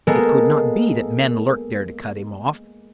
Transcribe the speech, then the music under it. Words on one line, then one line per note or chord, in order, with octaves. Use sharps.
It could not be that men lurked there to cut him off.
G#3 A#3 B3 A4